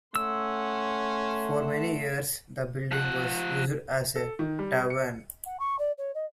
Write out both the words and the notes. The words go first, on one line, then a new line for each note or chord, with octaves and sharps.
For many years the building was used as a tavern.
A3 C#4 F#5 C6 E6
F3 F#5
A4
D#3
G3
C#7
F#5
C#6
D5
C#5
D#5